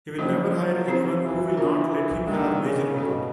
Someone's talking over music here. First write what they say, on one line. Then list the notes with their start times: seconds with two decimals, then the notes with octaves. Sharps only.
He will never hire anyone who will not let him have major input.
0.19 F3 F#3 A#3 C#4 F#4
0.54 F#3
0.88 F3 C4 E4 G4 C5
1.23 E3
1.57 E3 B3 D4 F4 A#4
2.27 D#3 G3 A#3 D4 G4
2.62 C#3
2.96 B2 C#4 F#4 A4 C#5